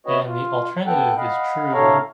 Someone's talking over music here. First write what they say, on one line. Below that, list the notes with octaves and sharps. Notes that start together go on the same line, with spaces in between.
And the alternative is true.
B3 F#4 B4 C#5 D#5
F4
B3 A4 F#5 G5 F#6
D#5 F5 F#5 B5
A2 D3 A4 C#5 F5 A#5